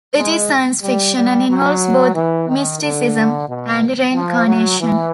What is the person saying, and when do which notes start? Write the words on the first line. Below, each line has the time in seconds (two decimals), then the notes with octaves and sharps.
It is science fiction, and involves both mysticism and reincarnation.
0.17 G#3
0.83 G3
1.16 G3
1.49 F#3
2.15 E3
2.49 D#3
2.82 D3
3.48 B2
4.13 F3
4.47 F#3
4.80 E3